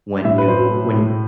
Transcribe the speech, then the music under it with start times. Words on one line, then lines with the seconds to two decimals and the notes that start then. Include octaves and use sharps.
when you when you
0.24 A2 E5
0.38 B4
0.48 F#3 C5
0.71 A3
0.93 A2